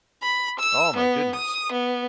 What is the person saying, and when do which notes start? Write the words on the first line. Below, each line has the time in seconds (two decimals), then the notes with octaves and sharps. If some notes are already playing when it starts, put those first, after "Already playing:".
Oh my goodness.
0.22 B5
0.59 E6
0.96 B3
1.35 D#6
1.72 B3